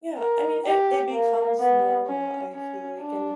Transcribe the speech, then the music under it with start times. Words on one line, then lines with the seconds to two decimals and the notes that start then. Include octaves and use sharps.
Yeah, I mean, it it becomes normal, I feel like, and,
0.18 A#4
0.65 G4
1.12 A#3
1.59 B3
2.06 C#4
2.53 C#4
3.00 D4